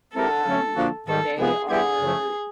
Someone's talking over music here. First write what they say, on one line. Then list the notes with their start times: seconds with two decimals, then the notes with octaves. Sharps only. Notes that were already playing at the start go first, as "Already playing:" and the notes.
um, they are
0.14 G#3 C4 E4 G4 A4 A#4
0.46 D3 F#3 A3 C#4
0.76 D3 F3 A#3 D4 F#4
1.08 G#2 D#3 G3 A4
1.38 C3 F3 G#3 B3 G#4
1.69 G3 B3 E4 G4 G#4
2.00 F#2 C#3 F3 A3